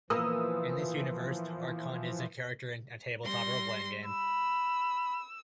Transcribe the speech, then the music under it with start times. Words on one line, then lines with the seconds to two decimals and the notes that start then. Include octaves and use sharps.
In this universe, Arkon is a character in a tabletop roleplaying game.
0.10 A#2 E3 F3 A#3 B3 D#6 E6
3.24 G3 C6 A#6
4.05 B5 E6